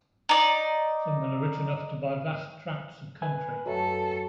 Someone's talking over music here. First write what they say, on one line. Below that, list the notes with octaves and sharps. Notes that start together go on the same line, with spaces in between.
Some men are rich enough to buy vast tracts of country.
D#4 D5
B4 G#5
F#2 F#3 A3 A4